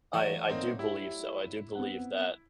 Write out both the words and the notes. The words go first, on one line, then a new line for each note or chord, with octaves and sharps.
I I do believe so. I do believe that,
E3 F#3 G3 A3
A#3 C4 D#4
E4 G4 E5
B3 C4 F#5